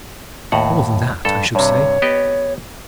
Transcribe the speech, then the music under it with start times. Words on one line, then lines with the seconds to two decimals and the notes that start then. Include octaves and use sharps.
More than that, I should say.
0.52 D#2 A2 F#5
1.25 G2 A4
1.55 G2 C3 C#5
2.02 B3 G4 D#5